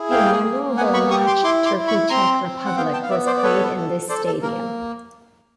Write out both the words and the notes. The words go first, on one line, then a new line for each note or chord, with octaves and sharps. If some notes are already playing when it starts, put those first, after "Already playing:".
A memorable match Turkey-Czech Republic was played in this stadium.
Already playing: E4 G#4
A#3 F5 G5
A#3
B3 F#5 G#5
B5 C#6
G4 C#6 D#6
C6 D6
E4 C6 D6
C6 D6
E4
B5 C#6
C4 A#5 C6
C4
F#5
B3 F5 G5
G5 A5
F5
B3 D5 E5
C5 D5
D5
A4 B4 C#5
A4
A4 C5 D5
A4
A#3 A#4